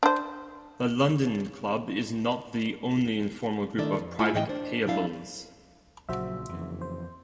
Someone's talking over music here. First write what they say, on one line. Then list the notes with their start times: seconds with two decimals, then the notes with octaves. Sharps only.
The London Club is not the only informal group of private payables.
0.03 D4 C5
3.78 D#3 A3 D4 E4 A4 D5
4.00 F2
4.19 A3 E4 F4 G#5
4.34 A2 E3 D#5 G5
4.49 D4 C5
4.87 F#3 D4 E4 F5
6.09 A#1 A#2 C#3 F#3 F#4 C5 E5
6.49 F#1 F2 E3
6.81 C5